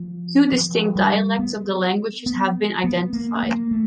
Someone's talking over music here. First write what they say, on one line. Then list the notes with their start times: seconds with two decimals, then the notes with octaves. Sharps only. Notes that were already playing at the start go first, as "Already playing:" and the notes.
Two distinct dialects of the languages have been identified.
Already playing: F3
0.52 F3
0.96 G3
1.39 B3
2.26 B3
2.84 B3
3.13 A#3
3.43 A#3
3.71 A3